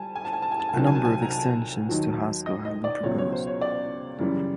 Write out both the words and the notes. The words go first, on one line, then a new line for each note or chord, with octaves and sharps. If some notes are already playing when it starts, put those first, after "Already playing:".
A number of extensions to Haskell have been proposed.
Already playing: G3 G#5 A5
G#5
A5
G#5
A5
G#5
A5
G#5
C2 C3 D#3 F#3 A5
G#5
A5
G#5
A#5
A5
D#2 D#3 F#3
D#5
D#5
D5
C#2 B2 F#3 C#5
C#5
C5
C#5
D5
F#2 C#3 E3 G3